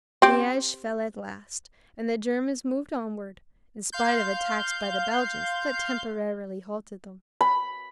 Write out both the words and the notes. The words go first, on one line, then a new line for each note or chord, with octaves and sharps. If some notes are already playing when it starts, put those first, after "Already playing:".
Liege fell at last, and the Germans moved onward, in spite of attacks by the Belgians that temporarily halted them.
C4 G4
F5 C6 G6
B5